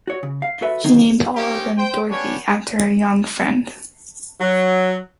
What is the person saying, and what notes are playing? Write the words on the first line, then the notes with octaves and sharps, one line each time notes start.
She names all of them Dorothy after her young friend.
F#4 C#5
C#3
F5
F#4 A4 B4 E5
D3 D#3 F#3 A#3 C4 D#4
F3 A#3 C#4 D#4 G4
C5 G5
B3 C#4 D4 G4 C#5
F#3